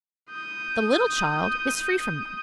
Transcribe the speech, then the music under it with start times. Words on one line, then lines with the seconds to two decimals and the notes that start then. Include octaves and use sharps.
The little child is free from them.
0.30 D#6 G6